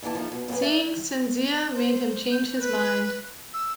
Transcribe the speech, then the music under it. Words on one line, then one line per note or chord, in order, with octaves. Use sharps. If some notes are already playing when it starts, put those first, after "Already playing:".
Seeing Cinzia made him change his mind.
D#2 E3 E4 G4 A5
F3 A3 D#4
B2
F#2 C4 E4 G4 G#4 B4
D5 E5
C5
G6
B4
E6